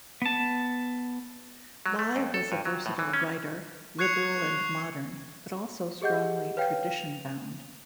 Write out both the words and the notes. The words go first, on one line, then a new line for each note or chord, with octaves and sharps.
Lie was a versatile writer, liberal and modern, but also strongly tradition bound.
B3 A5
F#3
A3
F2
A4
G2
F#3
A2
E3
C#4
C#6 F#6 G#6 C7 C#7 F7
G4 G#4 D#5 F#5 G6
B4 C#5 F5 G5
F7